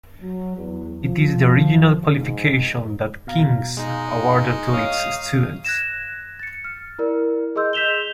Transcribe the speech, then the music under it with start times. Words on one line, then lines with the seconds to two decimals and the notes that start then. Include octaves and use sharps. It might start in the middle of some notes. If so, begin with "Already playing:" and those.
It is the original qualification that King's awarded to its students.
0.22 F#3
0.57 E2
1.02 F3
2.13 G#2
3.27 B2 F5 A#5
3.77 G#3 D#4
4.73 C#5 F5 D#6
5.65 F#6 G#6 A#6 E7
6.39 A6 C#7
6.64 F6
6.99 E4 A#4 D5
7.56 G#4 D#5 C6 E6 G6
7.73 G6 B6 E7 F7 G7